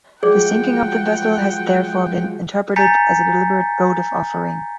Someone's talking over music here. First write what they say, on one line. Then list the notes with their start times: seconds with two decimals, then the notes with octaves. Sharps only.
The sinking of the vessel has therefore been interpreted as a deliberate votive offering.
0.23 F3 F#3 G#3 G#4 D5 F#5 G5
2.76 G#5 A#5 G6 A6 B6 C#7